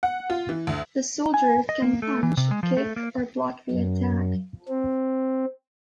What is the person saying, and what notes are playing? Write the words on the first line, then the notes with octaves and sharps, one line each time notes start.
The soldiers can punch, kick, or block the attack.
F#5
F4
E3
D2
G#5
D#5
A#3
A3
E3
C3
G#3
F3
A3
A#3
F#2
C4